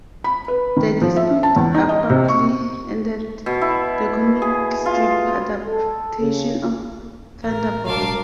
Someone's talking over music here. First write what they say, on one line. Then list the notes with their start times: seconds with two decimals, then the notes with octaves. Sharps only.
The dispute abruptly ended the comic strip adaptation of "Thunderball".
0.24 B5
0.48 B4
0.76 D#3
1.02 F3
1.17 E5
1.43 A5
1.56 E2
1.75 D#4
1.89 D#5
2.10 C3
2.28 C#6
3.46 B2
3.62 E4
4.42 G#4
4.86 F4
5.66 A4
6.20 C#3
7.44 A1 A#4
7.86 E1 D4 A#4 F5